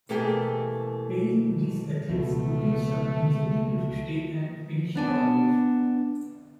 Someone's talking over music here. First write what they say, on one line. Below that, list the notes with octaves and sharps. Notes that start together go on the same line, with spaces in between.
Paying these athletes would give some incentive to stay and finish college.
B2 E3 A3 A#3 G4 G#4
C#2 B2 A3
B3 D4 G#5